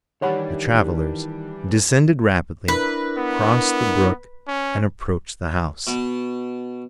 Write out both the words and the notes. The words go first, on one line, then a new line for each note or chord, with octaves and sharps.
The travelers descended rapidly, crossed the brook, and approached the house.
D#3 E3 G3 D4 G4 C#5 F#5 B5
D4 E4 A#4 B4
B3
C#4
B2